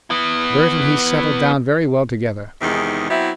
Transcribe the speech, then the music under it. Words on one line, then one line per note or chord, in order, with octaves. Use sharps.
Bert and he settled down very well together.
B3 E4
E2 C3 D#3 G#3 D#4
F#3 B3 C4 E4